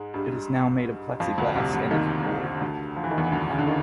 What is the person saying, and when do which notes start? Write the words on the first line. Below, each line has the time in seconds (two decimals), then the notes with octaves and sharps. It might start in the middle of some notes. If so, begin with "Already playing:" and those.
It is now made of plexiglass and is blue.
Already playing: G#2 G#3
0.14 G2 G3
1.20 F2 F3
1.38 D2 D3
1.55 C2 C3
1.73 D2 D3
1.91 D#2 D#3
2.26 D#2 D#3
2.61 D2 D3
2.96 F3
3.04 E3
3.11 D#3
3.18 E2 E3
3.32 D2 D3
3.50 C#3
3.58 D3
3.67 D#3